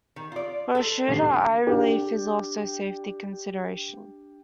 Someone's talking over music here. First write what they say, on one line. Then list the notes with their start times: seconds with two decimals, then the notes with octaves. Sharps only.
For a shooter, eye relief is also a safety consideration.
0.16 D#3
0.32 F4 D5
0.75 A4 B4 C5
1.08 D#1 D3 C7
1.67 D4 G4